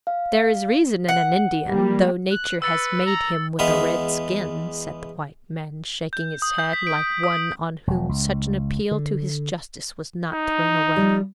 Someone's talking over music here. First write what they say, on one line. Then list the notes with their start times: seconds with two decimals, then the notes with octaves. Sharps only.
"There is reason in an Indian, though nature has made him with a red skin!" said the white man, shaking his head like one on whom such an appeal to his justice was not thrown away.
0.07 F5
1.08 F#5
1.67 G3 A#3
2.31 F#6
2.62 B4 E6 A6 C#7
3.06 A#5
3.59 E2 G#3 B3 E5 F5
6.13 G6
6.42 D#6
6.58 G6
6.73 B6
6.87 D7
7.23 D#6
7.87 E1
8.09 C#2
8.91 D3
10.33 D#4
10.96 F3 G3